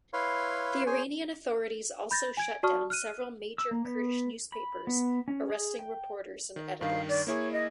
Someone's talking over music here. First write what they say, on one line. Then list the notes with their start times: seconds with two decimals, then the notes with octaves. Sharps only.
The Iranian authorities also shut down several major Kurdish newspapers arresting reporters and editors.
0.13 E4 B4 C#5 F5 C6
0.87 G#4 C5 C#5 G#5
2.11 B5 G6 A6 A#6
2.37 G#5 G#6 D7
2.63 F#4 D5 A5 C#6 D#6 F6
2.90 F6 F#6 D#7
3.58 E6
3.71 A#3
3.85 B3
4.52 B5
4.87 B3
5.28 C#4
5.50 G#4
5.79 G5
6.56 D#3
6.81 G2 D#3 F5
7.08 D5
7.27 A#3 E4 G#4 C#5
7.52 D#5